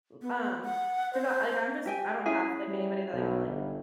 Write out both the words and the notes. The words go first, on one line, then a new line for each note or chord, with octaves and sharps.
l um 'cause I like, I'm just I don't have like anybody that I can, like,
B3
F#5
C5
G4 G5 G#5
C#4 E4 G#4
G3
B1
G1